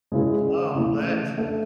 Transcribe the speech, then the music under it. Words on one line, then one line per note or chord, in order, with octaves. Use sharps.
Wow, I'm glad.
C#3 G#3 C#4 E4 G#4
C#3 E3 A3
A3 D4 A4 E5